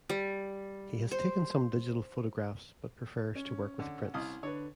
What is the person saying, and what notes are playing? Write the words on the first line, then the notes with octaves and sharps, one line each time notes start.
He has taken some digital photographs but prefers to work with prints.
G3
C5
C#4
D3
C2 F5 D#6
D3 D4 B4 C#5